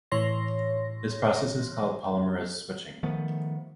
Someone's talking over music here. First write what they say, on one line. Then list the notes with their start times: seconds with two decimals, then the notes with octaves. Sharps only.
This process is called polymerase switching.
0.12 A2 E3 C#5 C6 A#6
3.03 D#3 F3 A3 B3